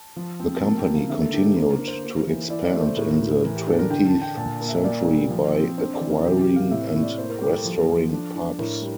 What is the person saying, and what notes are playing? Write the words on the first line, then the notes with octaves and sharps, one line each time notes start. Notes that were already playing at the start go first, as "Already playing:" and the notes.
The company continued to expand in the twentieth century by acquiring and restoring pubs.
Already playing: A5
F3
C4
A#3 A5
G5
A#3
F5
D3 E5
A4
D4 G4
A4
A#3 C5
A#4
A#3
C5
A#3
E3
E4 D5
D5
A3
C5
A2 A#4
A2
E3 A#4
G4
D4 A4
A#4
D3 G5
A5
D3
G5
A#2 A5
A#3
E5
A#2 D5
G3
F3
C4
D4 C5
D5
E3
A#4
C3 G4
G4
C3
F5
A2 E5
E5
A2
D5
A#3 C5
A#4
G3 G4
A4
F3
F3
D4
D4
A2 A#4
G3